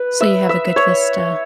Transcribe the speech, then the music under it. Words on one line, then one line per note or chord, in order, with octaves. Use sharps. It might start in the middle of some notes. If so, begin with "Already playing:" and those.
So you have a good vista.
Already playing: B4
E5
E5
C#5